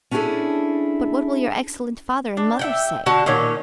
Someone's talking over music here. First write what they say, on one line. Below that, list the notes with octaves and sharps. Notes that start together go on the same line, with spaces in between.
But what will your excellent father and mother say?
C#4 D4 E4 F#4 G#4 A4
D4
E5 F#5 G5
D3 F#4 A5
A#2 D#3 C#4 C#5